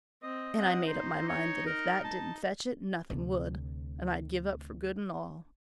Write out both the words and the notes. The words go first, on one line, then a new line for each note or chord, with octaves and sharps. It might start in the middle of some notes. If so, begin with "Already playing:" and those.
And I made up my mind that if that didn't fetch it nothing would and I'd give up for good and all.
C4 D#5
C4 F#5
D#4 C5 D#5
C#5
A#4
A5
D2 C3